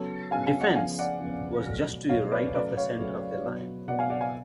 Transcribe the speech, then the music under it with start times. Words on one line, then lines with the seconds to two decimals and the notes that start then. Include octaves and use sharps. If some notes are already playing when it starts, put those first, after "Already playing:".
"Defence" was just to the right of the centre of the line.
Already playing: C#3 F#3 B3 A4 C#5
0.31 C#3 F#3 B3 F5 G#5
0.47 F5 G#5
0.61 D5 F#5
0.76 C#3 F3 B3 F5 G#5
0.99 D5 F#5
1.20 C#3 F3 B3
1.65 B2 F#3 A3
2.09 B2 F#3 A3 C#5 F5
2.32 B4 D5
2.54 C#3 F#3 A3 B4 D5
2.77 C#5 F5
2.99 C#3 F#3 A3
3.44 B2 F#3 B3
3.87 B2 F#3 B3 D5 F#5
3.99 F5 G#5
4.10 D5 F#5
4.21 F5 G#5